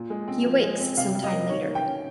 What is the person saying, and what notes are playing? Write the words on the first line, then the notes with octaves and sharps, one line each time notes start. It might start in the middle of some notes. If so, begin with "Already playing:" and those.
He awakes some time later.
Already playing: A#2
G#3
C4
F3
G#3
C4
C3 F5
G3
D#5
A#3
D#3 C#5
A#3
G5
C#4